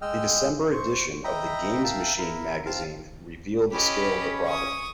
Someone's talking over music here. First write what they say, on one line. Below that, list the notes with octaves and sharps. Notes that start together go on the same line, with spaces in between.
The December edition of "The Games Machine" magazine revealed the scale of the problem.
G#3 D#5 G5 E6 F6
C5 C#6
D#5 E5 G5 A#5 B5
A#4 E5 F5 G5 A5
E4 A#4
C4 F4 F5 A5 F6
C#4 G4 D#5 B5
C#6 D#6